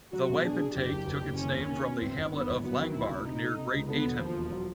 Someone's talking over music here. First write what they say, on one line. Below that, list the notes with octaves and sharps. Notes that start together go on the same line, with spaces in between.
The wapentake took its name from the hamlet of Langbaurgh, near Great Ayton.
F#3 F#4
B2
D4 G#4
D4
F#1 G4
F#1
F#1
F#1
D#2 C#4
D#2
D#3
B3
G1 C4
G1
D#3 B3
G1
F#3 B3
D#3
D2 E4
C3
C3 D#4
A3
C3
C#2
D3 B3
E1
D#2 F3
E1
F#3